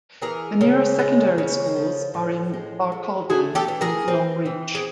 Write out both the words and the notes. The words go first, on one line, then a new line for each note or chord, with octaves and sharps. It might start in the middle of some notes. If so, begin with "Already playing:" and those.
The nearest secondary schools are in Barcaldine and Longreach.
E3 G#4 A#4
C#3
G#3
C#3
F3
A2
G#3
A2
A3 F#4 G#4
G4 A4
E3
G#4 A#4
C4
E3
G#4